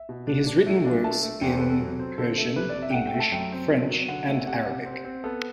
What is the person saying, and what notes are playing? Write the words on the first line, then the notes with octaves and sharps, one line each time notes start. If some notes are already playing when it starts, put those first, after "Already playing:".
He has written works in Persian, English, French, and Arabic.
Already playing: E5
B2
D4
D4
A3
D4
A3 A5
A3
E2 G5
C5
A4
C3 B4
A4
F#3
C4
D3 A4
A3
C3 B4
D5
C3
E5
G5
A3 F#5
G5
A3
A5
F#2 G5
C4
F#3
F#3
D3 F#5
A3
C3 F#5
C3
C4
C4
B3 A4